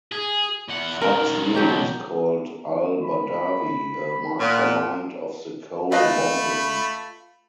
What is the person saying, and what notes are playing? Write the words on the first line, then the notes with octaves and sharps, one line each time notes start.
"Fox News" called Al-Badawi a "mastermind" of the Cole bombing.
G#4
E2 F#5
F#2 D#3 A#4
F2 B2 F#3 G4 A#5
B5
A#2 F#5
A3 F4 B4 D#5 A5 B5